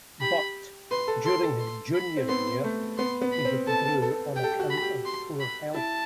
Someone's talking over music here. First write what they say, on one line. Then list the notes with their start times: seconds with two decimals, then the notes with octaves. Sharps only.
But, during his junior year, he withdrew on account of poor health.
0.21 G4 B5
0.91 B4 C6
1.08 A4
1.25 A4 C6
1.43 A4
1.59 C6
1.94 B5
2.17 C4
2.29 B3 C6
2.64 A3
2.98 B3 C6
3.21 B3
3.32 B5
3.45 C4
3.67 A4 A5
4.02 A4
4.36 G4 G5
4.44 A4
4.51 G4
4.60 F#4
4.70 B5
4.82 G4
5.06 C6
5.40 B5
5.74 E4 A5